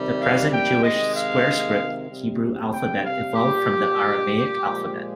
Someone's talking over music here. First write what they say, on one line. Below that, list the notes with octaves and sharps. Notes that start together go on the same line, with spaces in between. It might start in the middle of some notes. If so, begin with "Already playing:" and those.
The present Jewish "square-script" Hebrew alphabet evolved from the Aramaic alphabet.
Already playing: C3 D#3 G3
F5
G5
C3 D#3 G#3 D#5
F5
C3 G3
G5
F5
A#2 G3 G4
A#2 F3 G#3